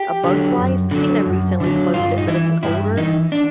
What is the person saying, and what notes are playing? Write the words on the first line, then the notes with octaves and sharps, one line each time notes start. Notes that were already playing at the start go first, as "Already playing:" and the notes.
A Bug's Life? I think they recently closed it, but it's an older
Already playing: G4
D3 F#3
F#2
D3 F#3
F#2
D3 F#3
G2 F4
D#4
E3 E4
G2 E4
E3 D#4
D4